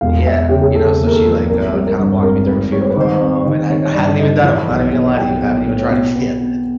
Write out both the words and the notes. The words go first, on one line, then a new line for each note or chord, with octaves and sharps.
Yeah, you know? So, she, like, uh, kinda walked me through a few of 'em, and I I haven't even done 'em, I'm not even gonna lie to you, I haven't even tried 'em yet.
E1 F5
E1 E5
C#3 G4
G#4
C#3 A4
D#2
A#4
A4
F3
G#1 A#4
G3
A#4
G2
G#1 A#4
G#1 B4
G3 C#5
C5
B4
D#3 C5
C4
D#3
D#3 C#5
G2 D5
D#3 D#5
E3
B1
B1
B1 G5
B1
A2
B2
B3
B3